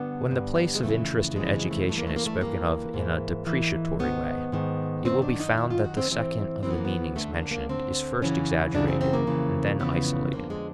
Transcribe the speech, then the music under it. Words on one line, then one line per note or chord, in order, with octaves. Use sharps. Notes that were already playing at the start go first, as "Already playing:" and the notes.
When the place of interest in education is spoken of in a depreciatory way, it will be found that the second of the meanings mentioned is first exaggerated and then isolated.
Already playing: G2 D3 B3
G2 D3
G#3
F2 C#3 E3 A3
F2 C#3 E3 G#3
G#3
A3
G2 E3 A3
A#3
A3
A#3
A3
G2 E3 A#3
G#2 E3
G#2 E3
G#2 D#3 B3
G#2 D#3
F#2 D#3 C4
D4
D#4
F#2 D#3 E4
F4
F#4
C4
G#2 E3 C4
G#2 E3 C4
B3
A#3
B3
D2 D3 A3
A#3
A#3
D2 D3 C4
F#2 C#3 E3 C#4
F#2 C#3 E3 D4
C4
C4
A#3
F2 C#3 E3
F2 C#3 E3 B3
F2 D3 A#3
G#3